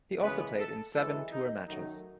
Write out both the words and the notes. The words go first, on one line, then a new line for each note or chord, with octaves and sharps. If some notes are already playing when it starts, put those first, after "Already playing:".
He also played in seven tour matches.
F#2 C#3 E3 G#3 B3 B4
A4
F#2 E3 G#3 A4
D#4
F#2 D#3 F#3 A3 D#4